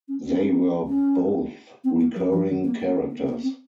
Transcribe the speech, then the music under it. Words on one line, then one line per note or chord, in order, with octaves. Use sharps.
They were both recurring characters.
C#4
C#4
C#4
C4
A#3
F#3
F3
D#3
A#3
A#3
A#3
A#3
A#3
C4